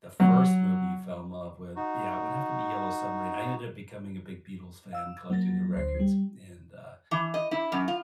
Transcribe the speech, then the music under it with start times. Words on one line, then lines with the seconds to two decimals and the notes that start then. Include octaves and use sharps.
the first movie you fell in love with, yeah, it would have to be Yellow Submarine, I ended up becoming a big Beatles fan collecting their records, and, uh,
0.20 F#3
1.76 D#4 F#4
4.93 F5 E6
5.30 F#3 A#3 A6 A#6
5.76 D2 C5 C7
6.00 G3
7.11 E3
7.34 D#5
7.51 E4
7.72 F#2
7.88 F4